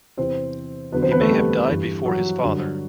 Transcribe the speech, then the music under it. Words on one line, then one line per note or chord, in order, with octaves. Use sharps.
He may have died before his father.
E2 C3 E3 C4 C5
E2 D3 F#3 B3 B4
C4 C5
B3 B4
A3 A4
G3 G4
G2 E3
F#3 F#4
G2 D3 F#3